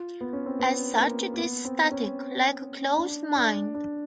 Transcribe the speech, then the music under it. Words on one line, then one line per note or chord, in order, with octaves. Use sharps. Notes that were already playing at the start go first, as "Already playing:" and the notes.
As such it is static, like a closed mind.
Already playing: F4
B3
C#4
C4
B3
A#3
A#3
B3
C4
C#4
D4
D4
D4